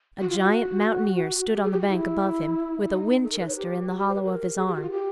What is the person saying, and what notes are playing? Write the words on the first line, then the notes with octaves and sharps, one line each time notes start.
A giant mountaineer stood on the bank above him, with a Winchester in the hollow of his arm.
F#4
F4
F#4
G4
G#4
G4
F#4
E4
D#4
A4
A#4
B4
C#5
G4
F#4
G4
C5
B4
A#4
G#4
G4
F#4
F4
G4